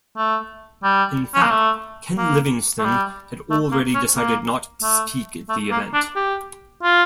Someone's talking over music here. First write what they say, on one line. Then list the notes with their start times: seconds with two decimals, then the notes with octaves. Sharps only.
In fact, Ken Livingstone had already decided not to speak at the event.
0.17 A3
0.84 G3
1.34 C#4
1.42 A#3
1.51 A3
2.18 A#3
2.79 A3
2.84 G3
3.50 A3
3.72 A#3
3.95 C#4
4.16 A#3
4.83 A3
5.49 A3
5.72 A#3
5.94 D4
6.16 G4
6.83 F4